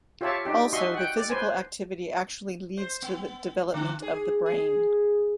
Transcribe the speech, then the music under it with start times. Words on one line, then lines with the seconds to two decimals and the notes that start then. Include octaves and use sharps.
Also, the physical activity actually leads to the development of the brain.
0.21 F4 G4 C#5 E5 F5 A5
0.45 D4 D#4 G4
0.73 F#4 D#5 E5 C6 C#6
0.94 F#5 G5
1.17 D5
1.30 B4 C5 G#5
2.77 C5
3.02 B3
3.74 D3
4.02 G#4
4.46 G#4